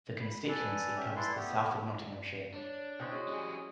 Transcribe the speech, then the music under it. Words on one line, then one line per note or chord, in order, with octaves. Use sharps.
The constituency covers the south of Nottinghamshire.
B5
A4 B4 D5 G#5
C#4 G4 E5
E4 A4 B4 D5 C6
A3 B3 G4
D4 C#5
C4 C#4 E4 D#5 F#5
G#3 F#4 D#5
G3 G#4